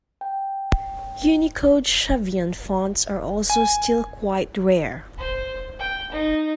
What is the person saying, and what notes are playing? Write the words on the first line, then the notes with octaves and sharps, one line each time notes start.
Unicode Shavian fonts are also still quite rare.
G5
G#5
C5
G5
D#4